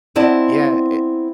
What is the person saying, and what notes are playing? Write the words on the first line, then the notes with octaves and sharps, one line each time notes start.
Yeah, a
B3 C4 E4 D5 D#5 A5